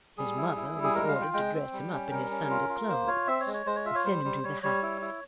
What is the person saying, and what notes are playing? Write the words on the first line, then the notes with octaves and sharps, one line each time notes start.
His mother was ordered to dress him up in his Sunday clothes, and send him to the house.
G3 G#4
E4
E4
G3
G#4
G#3 A#4
F5
F4
G5
G#3 G5
C4
G3
C#4
G3 A#4
C#4
F4
F4
A#3 C5
F4 C#5
C4 E5
C#5
G#3
C#5
G#3 C5
C#5
F4 E5
C#5
G3 C5
G3
G3 C#5
G3 C#5
E4
E4